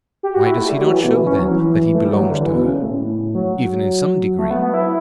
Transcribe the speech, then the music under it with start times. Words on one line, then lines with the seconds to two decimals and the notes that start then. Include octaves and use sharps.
Why does he not show, then, that he belonged to her, even in some degree?
0.23 G4
0.34 F#4
0.46 E4
0.58 A3
0.69 G3
0.80 F#3
0.92 E3
1.04 B2
1.16 E3
1.27 C#4
1.39 F#3
1.50 E3
1.95 A3
2.04 G3
2.13 F#3
2.22 E3
2.30 D3
2.43 E3
2.54 B2
2.66 C#3
2.83 A2
3.35 F#3
4.39 A3
4.51 B3
4.62 B3
4.74 E4